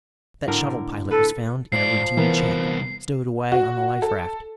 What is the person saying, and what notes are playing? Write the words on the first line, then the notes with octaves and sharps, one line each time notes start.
That shuttle pilot was found in a routine check, stowed away on the life raft.
A2 D3 A#4
A4 B4
G#2 F3 D5 C7
C2 E3 B3 A#4
F#4
A4